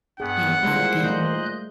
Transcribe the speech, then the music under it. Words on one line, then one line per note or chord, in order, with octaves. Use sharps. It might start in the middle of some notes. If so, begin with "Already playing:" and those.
you know, I didn't
G2 B3 G#4 F#5
A#2 G3 G#3 E4 C5 C6
A3 D#5 F#6 G6